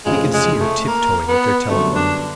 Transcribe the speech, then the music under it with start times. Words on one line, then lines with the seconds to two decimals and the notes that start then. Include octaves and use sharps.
He could see her tiptoeing at their telephone.
0.05 F1 F2 C#3 F3 G#3
0.33 G#3
0.60 A3
0.87 A#3
1.28 B3
1.68 F#2 D3 G3 A3 B3
1.95 D4